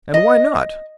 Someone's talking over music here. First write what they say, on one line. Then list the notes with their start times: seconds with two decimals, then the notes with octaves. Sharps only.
"And why not?"
0.14 D#5